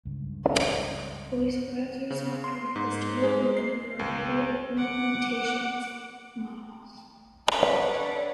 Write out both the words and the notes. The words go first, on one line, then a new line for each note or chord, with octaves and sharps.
Voice browser software is delivered in a variety of implementations models.
C#2 G2
C#3
C6
G#2
G#3
C7
C#2
F#5 D6
D4 A4 B4 C#5 D5 F#5